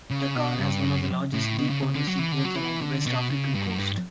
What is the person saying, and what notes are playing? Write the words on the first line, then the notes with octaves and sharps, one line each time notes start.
Dakar has one of the largest deep-water seaports along the West African coast.
C#3
B2
G2
F#2
A2
B2
C#3
C#3
D3
F#3
E3
D3
F#3
E3
D3
B2
C#3
G2
F#2
G2